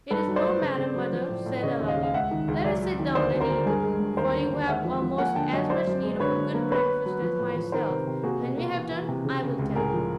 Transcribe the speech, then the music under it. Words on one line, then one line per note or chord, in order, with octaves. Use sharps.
"It is no matter, mother," said Aladdin, "let us sit down and eat; for you have almost as much need of a good breakfast as myself; when we have done, I will tell you."
G2 A4 B4
F#3
C5 D5
A3
C#3
C#3
F#3
F3
A2
A2
C#3 C#5 D#5
D#2
D#5 F5
C#3
F5
C#2 E5 F#5
D#3
C#2
F#3 D5 E5
F#3
D#3
D2 C5 D5
D2
A#4 C5
D2
G2 G#4 A#4
G#3
G2
D#2 A#4 C5
D3
D#2
G#3 E5 F#5
F3
F3
A#3 F#5 G#5
D3 G5 A5
F#2 C#5 D#5
F#2 C5 D5
F#2
G#3
D3 B4 C#5
D3
A#3
B3 B4 C#5
B3
F#3
F3
A2
F3
D#3 A#4 C5
C3
C3
A#3 F#4 G#4
B2
A#3
E3
E3
C3
C#3
C#3
C#2
A2 G#4 A#4
F3